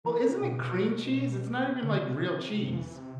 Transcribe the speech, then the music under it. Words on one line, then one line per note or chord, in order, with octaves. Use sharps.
Well, isn't it cream cheese? It's not even, like, real cheese.
E3
C3
B2
B2
C3
D3
C3
B2
C3
F3
E3
C3